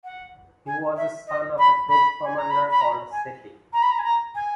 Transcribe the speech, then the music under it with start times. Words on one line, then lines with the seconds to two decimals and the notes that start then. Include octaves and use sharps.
He was a son of a troop commander called Seti.
0.04 F#5
0.67 G#5
0.97 E5
1.27 D#5
1.59 B5
1.89 B5
2.24 G#5
2.37 A#5
2.50 B5
2.70 B5
2.81 A#5
3.12 G#5
3.73 A#5
3.82 B5
3.91 A#5
3.99 G#5
4.04 A#5
4.35 G#5